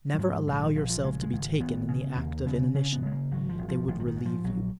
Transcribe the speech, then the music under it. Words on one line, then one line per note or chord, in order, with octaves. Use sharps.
Never allow yourself to be taken in the act of inanition. They would relieve you.
F#3
G#2 F3
A#1 D#3
F3
A#1 D#3
F3
C#3 G#3
G#3
G#1
G#1 B3
C#3
D#2 A#3
C#3 B3
C#3 C#4
B3
C#3 G#3
A#3
G#1 F#3
F3
G#1
F3
G#1 F3
F3
D#3
G#2
F3
A#1 F#3